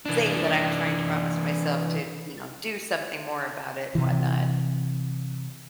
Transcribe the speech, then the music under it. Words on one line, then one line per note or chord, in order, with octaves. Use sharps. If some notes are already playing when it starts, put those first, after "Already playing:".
thing that I'm trying to promise myself to, you know, do something more about it and whatnot.
E3 D4
C3 E3